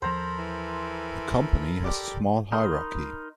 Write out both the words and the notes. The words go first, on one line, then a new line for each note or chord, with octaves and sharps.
The company has a small hierarchy.
D#2 F3 A4 A#4 C5 A#5 B5
E3
G4 D5
D#4 A#4 B5 C6 D#6